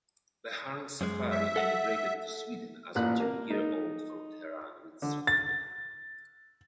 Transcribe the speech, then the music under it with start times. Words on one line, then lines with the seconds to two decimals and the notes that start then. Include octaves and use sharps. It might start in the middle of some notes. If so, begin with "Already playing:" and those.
Behrang Safari emigrated to Sweden as a two-year-old from Tehran with his family.
1.01 F#2 G#3
1.30 E5
1.56 A4 F#5
2.95 A1 A#2 F#6
3.20 A#3
3.50 D#4
5.02 D3
5.27 A6